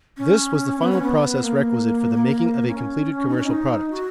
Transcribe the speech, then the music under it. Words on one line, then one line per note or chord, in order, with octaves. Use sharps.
This was the final process requisite for the making of a completed commercial product.
C#4
B3
C#4
B3
A#3
C#4
D#4
C#4
D#4
F#4